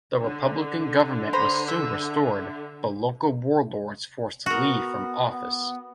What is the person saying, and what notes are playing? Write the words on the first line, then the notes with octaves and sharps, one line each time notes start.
The Republican government was soon restored, but local warlords forced Li from office.
D3
C5 A#5 B5
E5
B3 F#4 A#4
B3